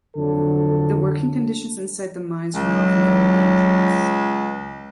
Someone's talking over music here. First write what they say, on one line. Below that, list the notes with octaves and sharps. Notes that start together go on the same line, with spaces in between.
The working conditions inside the mines were often very dangerous.
F2 D3 F#3 A4
C#2 F#3